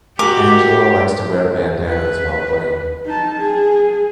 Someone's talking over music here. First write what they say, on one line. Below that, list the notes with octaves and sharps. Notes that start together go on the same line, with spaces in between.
Angela likes to wear bandanas while playing.
F#4 G4 A#4 D6
B4
D#4 A5
G#4